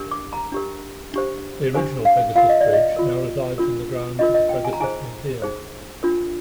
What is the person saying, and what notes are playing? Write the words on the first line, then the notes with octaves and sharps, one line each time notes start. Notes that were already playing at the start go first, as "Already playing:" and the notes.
The original Pegasus Bridge now resides in the grounds of the Pegasus Museum.
Already playing: D4 G4 A#4
D6
A#5
D4 G4 A#4
D4 G4 C5
D4 G4 C5 G#5
F5
F4 A#4 F5
D#5
D5
D#5
F4 A#4
D4 F4 A#4
D4 F4 A#4 D#5
D#5
G5
G#5
A#5
D#4 G#4 C5 G#5
D#4 G#4 C5
D4 F4 A#4